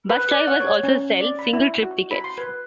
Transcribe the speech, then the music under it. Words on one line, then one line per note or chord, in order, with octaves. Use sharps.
Bus drivers also sell single-trip tickets.
B4
D5
F#5
C#5
C#4
D5
B5
E4
F#4
B5
C6
B4